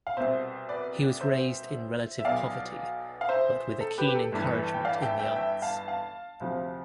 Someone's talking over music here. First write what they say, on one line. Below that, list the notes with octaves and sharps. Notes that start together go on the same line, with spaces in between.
He was raised in relative poverty, but with a keen encouragement in the arts.
F5
C2 B2 C5 E5
B4 D5
C5 E5
E5
B1 B2 D5 F5
F5
C5 E5
A4
G4 B4
G4
A4
G1 G2 E3
G5
D5 F5
E5 G5
E5 G5
E5 G5
F5 A5
F5 A5
D2 C3 F3